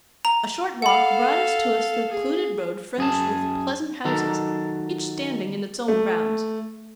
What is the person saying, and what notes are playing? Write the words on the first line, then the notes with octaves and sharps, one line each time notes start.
A short walk brought us to a secluded road fringed with pleasant houses, each standing in its own grounds.
A#5
A4 F5 F#5 B5
G#4
F#2 G#4 A5
D#3 F#3 A4 A#5
A3